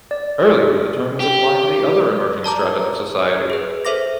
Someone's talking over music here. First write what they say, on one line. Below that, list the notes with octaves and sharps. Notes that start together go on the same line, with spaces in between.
Earlier the term was applied to other emerging strata of the society.
D5
G4
D5 A5 A#5 D6
G#4 B4
A4 C5 E5 D6 A#6